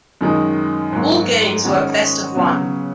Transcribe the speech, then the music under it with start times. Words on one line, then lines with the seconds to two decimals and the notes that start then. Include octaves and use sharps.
All games were best-of-one.
0.21 F#2 D#3 G#3 D#4
0.92 G#2 F#3 A#3
1.64 D#3 G#3 C#4 F#4
2.35 C#3 F#3 B3